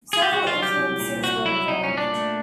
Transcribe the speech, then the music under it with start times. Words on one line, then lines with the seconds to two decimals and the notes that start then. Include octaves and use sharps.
Several influences were involved.
0.13 G#4
0.22 G4
0.32 C2 F#4
0.47 F4
0.55 F#3
0.62 G4
0.77 C2
1.00 A#2
1.23 C2 F#4
1.45 F#3 E4
1.68 C2 D#4
1.84 C#4
1.91 A#2
1.97 D4
2.12 A3